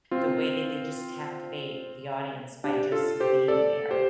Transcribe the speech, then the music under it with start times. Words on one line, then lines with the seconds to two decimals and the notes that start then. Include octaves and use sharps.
the way that they just captivate the audience by just being there.
0.11 C4 F4
2.64 D4 G4
2.92 F4 A4
3.20 G4 C5
3.48 A4 D5
3.91 G4 C5